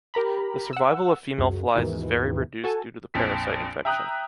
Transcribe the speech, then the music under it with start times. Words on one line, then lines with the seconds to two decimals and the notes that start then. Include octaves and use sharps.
The survival of female flies is very reduced due to the parasite infection.
0.14 G4 A#4 A#5 B5
0.73 F#5 E6
1.38 C#2 F#2
1.76 D#2 G#2 B2 D#3 E3
2.64 F#4 A4 G#5 A5
3.14 A#1 F2 B6
3.85 E5 G5 A#5 D#6 F#6